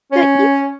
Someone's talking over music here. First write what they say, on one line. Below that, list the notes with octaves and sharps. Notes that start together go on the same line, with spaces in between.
that you
C#4